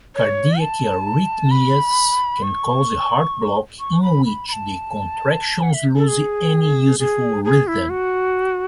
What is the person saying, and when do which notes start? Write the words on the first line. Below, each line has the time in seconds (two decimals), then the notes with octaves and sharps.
Cardiac arrhythmias can cause heart block, in which the contractions lose any useful rhythm.
0.15 C#5
0.60 A5
1.51 B5
2.43 C#6
3.80 C#6
4.03 B5
4.26 B5
4.48 B5
4.53 A5
5.63 F#5
5.74 E5
5.97 A4
6.08 G#4
6.99 G#4
7.45 G#4
7.67 E4
7.90 F#4